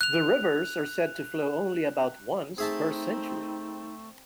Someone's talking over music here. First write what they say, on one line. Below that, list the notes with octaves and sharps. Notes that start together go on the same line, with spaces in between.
The rivers are said to flow only about once per century.
F#6 F7
A3 C4 D#4 G#4 E5 A5